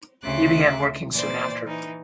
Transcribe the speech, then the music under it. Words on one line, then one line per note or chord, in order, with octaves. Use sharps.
He began working soon after.
D2 C#3 E5 C6 D6 F#6
A#2 E3 C5 D5 A6
E3 D#4